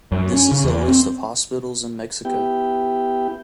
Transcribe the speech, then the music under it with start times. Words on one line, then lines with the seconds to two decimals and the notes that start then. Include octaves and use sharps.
This is a list of hospitals in Mexico.
0.12 F#2
0.34 C#4
0.52 C#3
0.64 E2
0.88 C4
2.25 B3 E4 G4 G5